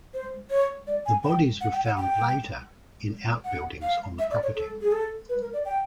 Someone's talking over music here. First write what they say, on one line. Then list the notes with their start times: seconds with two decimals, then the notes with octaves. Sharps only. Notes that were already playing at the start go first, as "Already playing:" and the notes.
The bodies were found later in outbuildings on the property.
0.14 C5
0.50 C#5
0.87 D5
1.06 G#5
1.24 G5
1.61 F#5
1.73 G5
1.85 F#5
1.97 G5
3.45 F#5
3.82 F5
4.19 E5
4.31 D5
4.43 C#5
4.55 A4
4.82 G#4
4.92 A4
5.29 B4
5.42 A#4
5.53 D5
5.65 G5